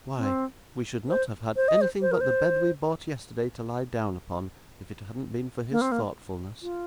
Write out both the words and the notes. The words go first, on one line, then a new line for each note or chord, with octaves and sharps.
Why, we should not have had anything but the bed we bought yesterday, to lie down upon, if it hadn't been for his thoughtfulness!'
C4
C5
C5
D#5
C5
C5
A#4
C5
A#3
C4
A#3
F4